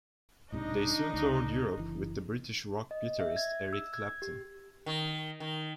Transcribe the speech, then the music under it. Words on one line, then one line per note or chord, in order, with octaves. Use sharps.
They soon toured Europe with the British rock guitarist Eric Clapton.
B1 G#2 C3 D4 D#4 D#5
C#2
F#1 E3
D#5
E5
G#6
E6
G#6
G4
D#3
D#3